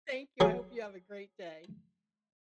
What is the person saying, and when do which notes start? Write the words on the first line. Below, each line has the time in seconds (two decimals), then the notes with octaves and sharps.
thank you, I hope you have a great day.
0.40 F#3 G#4